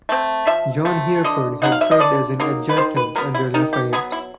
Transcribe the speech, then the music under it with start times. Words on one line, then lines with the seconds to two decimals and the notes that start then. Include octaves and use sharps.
John Hereford had served as an adjutant under Lafayette.
0.09 A3 C4
0.47 F3 E5
0.85 A3 C4
1.24 D3 D#5
1.62 F#3 A#3 D#4 F#5
1.72 F5
1.81 E5
1.91 D#5
2.00 D3 D5
2.40 F#3 A#3 D#4
2.69 B4
2.77 D#3 C5
2.97 B4
3.16 F#3 B3 A#4
3.35 E4
3.54 D#3 D#4
3.73 G4
3.93 F#3 B3 G#4
4.12 E4